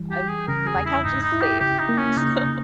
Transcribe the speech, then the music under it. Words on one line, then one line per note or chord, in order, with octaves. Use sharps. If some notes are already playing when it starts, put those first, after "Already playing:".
I've my couch is safe, so
Already playing: E3 G3
G4
G3
G#4
C#3 A#4
G#4
E2
E4
G#2 D#4
D#4
E4
G4
C#3 G4
D#4
A#3
C#4
C#3 D#4
D#4
C#3